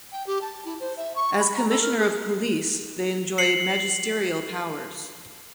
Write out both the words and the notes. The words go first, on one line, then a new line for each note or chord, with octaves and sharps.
As Commissioner of Police they enjoy magisterial powers.
G5
G4
A5
E4
C5
E5
C#6
B5
A#5
A4
A#4
G#4
C7 C#7 F#7